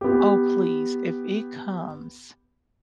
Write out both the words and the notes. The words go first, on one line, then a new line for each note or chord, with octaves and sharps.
Oh please if it comes
B3 G4